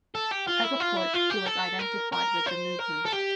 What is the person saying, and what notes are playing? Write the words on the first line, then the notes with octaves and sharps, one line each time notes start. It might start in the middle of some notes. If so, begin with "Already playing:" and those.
As a poet he was identified with the Movement.
A4
G4
F4
E4
F4
E4
F4
G4
A4
A#4
A#4
C5
A#4
A4
G4